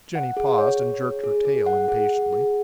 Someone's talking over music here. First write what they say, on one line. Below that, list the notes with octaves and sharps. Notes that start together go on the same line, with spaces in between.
Jenny paused and jerked her tail impatiently.
F#5
G#4
C#5
C#5
G#4
G#4
G#4
F#5
G#4
F#5
G#4